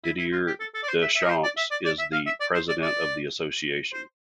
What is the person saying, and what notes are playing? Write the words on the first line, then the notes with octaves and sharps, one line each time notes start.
Didier Deschamps is the president of the association.
E4
E4
F4
G4
A4
A4
D5
C5
E5
E5
A#4
C5
D5
E5
D5
D5
E5
F5
E5
D5
C5
D5
D5
C5